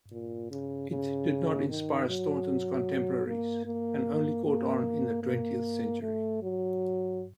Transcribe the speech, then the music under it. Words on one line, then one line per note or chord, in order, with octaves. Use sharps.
It did not inspire Staunton's contemporaries, and only caught on in the twentieth century.
A#2
C#3
C#3
D#3
F#3
A#3
A#3
A#3
A#3
A3
F#3